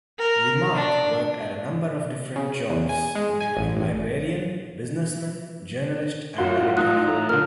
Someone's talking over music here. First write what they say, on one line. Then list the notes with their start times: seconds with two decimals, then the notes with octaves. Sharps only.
Remarque worked at a number of different jobs, including librarian, businessman, journalist, and editor.
0.18 A#4
0.75 D4
2.36 C#3
2.70 E2
2.89 G#5
3.15 G#3
3.40 G#5
3.57 A1
3.76 A1
6.38 F#2 F4 F#4 C#5 E5 C6
6.55 C2 A2
6.77 A1 E3 D#4 F4 D#6 F#6
7.07 C2 A2 A#5
7.29 A#2 D3 A#4 F6